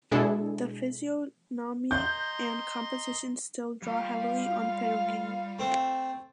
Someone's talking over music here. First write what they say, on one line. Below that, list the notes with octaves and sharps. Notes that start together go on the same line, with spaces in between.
The physiognomy and composition still draw heavily on Perugino.
B2 G#3 D4 E4 G#4 A4
D#5 A#5 C6 G6
G3 F4 F5
A3 C4